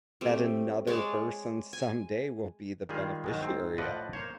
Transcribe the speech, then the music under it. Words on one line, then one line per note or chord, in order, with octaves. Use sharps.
that another person someday will be the beneficiary of,
G3 A3 C4
G#3 C#5 D5 A5
G#5
D#3 G3 G#3 F4 G#4
D#3 F#3 G#3
G#2 C4
A2 F3 B4 D5 D#5 F#5
A#3 C5 C#5